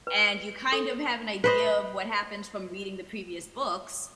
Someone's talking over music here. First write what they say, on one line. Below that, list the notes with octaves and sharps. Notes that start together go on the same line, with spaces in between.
And you, kind of have an idea of what happens from reading the previous books
B4
A4
B4 C5 D#5